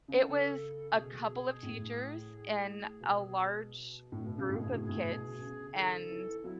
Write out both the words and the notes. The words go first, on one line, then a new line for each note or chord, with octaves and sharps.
It was a couple of teachers and a large group of kids, and,
C#3
A4
B2 G#4
A2
B2
A2
B2
C#3 G#4
A2
B2
G#4
A2
A2 G#4
B2
C#3
D#3 A4
E3
F#3 E4